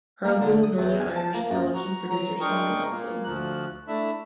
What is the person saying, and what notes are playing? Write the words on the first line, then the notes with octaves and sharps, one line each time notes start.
Her husband is Northern Irish television producer Simon Nelson.
A#3
D3
D#6
E2
G#5
A5
A#3
F#2
F#4 A#5
F#3 A#5
G#3 D4 G#4 A#4 G5 C#6
A#2 A#3
D2 F3 F#6
A3 D4 E4 E5